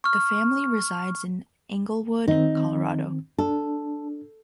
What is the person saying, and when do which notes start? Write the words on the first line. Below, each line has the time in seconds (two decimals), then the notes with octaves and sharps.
The family resides in Englewood, Colorado.
0.04 C#6 F6
2.28 D#3 C4 D#4
3.39 D4 A4